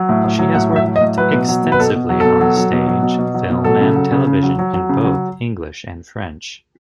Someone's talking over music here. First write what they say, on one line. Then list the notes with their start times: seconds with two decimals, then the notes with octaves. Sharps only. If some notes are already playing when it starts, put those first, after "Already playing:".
She has worked extensively on stage, film, and television in both English and French.
Already playing: F#3
0.09 A2
0.24 A2
0.39 F#3
0.54 A2 F#5
0.70 F#3
0.76 E5
0.86 F#3
0.96 D#5
1.01 A2
1.18 F#3 B4
1.33 B2
1.49 F#3
1.64 B2
1.72 B4
1.80 B2 A4
1.94 B2
2.09 F#3
2.20 B2 A4
2.41 F#3
2.57 F#3
2.72 B2
2.87 F#3
3.02 B2
3.18 B2
3.34 F#3
3.50 B2
3.64 F#3 A4
3.81 C#3
3.95 F#3
4.12 C#3
4.27 C#3
4.43 F#3
4.59 F#3
4.74 F#3
4.89 C#3
5.04 F#3